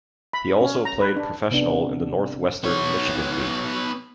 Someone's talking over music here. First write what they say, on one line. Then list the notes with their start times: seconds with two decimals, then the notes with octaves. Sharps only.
He also played professional in the Northwestern Michigan League.
0.33 B5
0.61 C#4
0.85 A#5
1.00 B4
1.16 D4
1.51 C3 B3 D4
2.64 B3 C#5